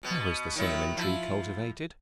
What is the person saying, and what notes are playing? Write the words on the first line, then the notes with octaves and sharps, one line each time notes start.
How is the Cinnamon Tree cultivated?
B2 B3
D#3 F#3 E4
F3 E4